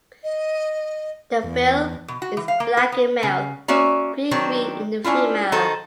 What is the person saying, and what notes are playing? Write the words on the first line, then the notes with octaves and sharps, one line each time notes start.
The bill is black in male, pea-green in the female.
D#5
E2
B2
F#4
E3
F5
A#3
B4
B3
C#3
A#3 C#4 F#4 D5 E5
D#3 F#3 C4 D4
C#4 D4 E4 F4
D#3 D#4 F#4 A4 C5